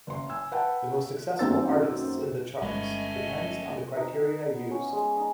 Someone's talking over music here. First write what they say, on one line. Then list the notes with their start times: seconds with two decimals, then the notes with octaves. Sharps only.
The most successful artists in the charts depends on the criteria used.
0.07 F#1 C6
0.29 G#5 E6
0.52 B4 F#5 G5 A5
1.39 F#2 D#3 A#3 C4 E6 A6
2.62 G1 G2 G#3 A3 C#4 B4 D#5 G#5
3.96 D#4
4.12 G5
4.52 B3
4.71 C#4
4.93 G#3
5.17 D#4